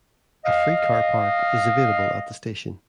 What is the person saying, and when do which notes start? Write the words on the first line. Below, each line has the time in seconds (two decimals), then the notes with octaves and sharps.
A free car park is available at the station.
0.45 D#5 F5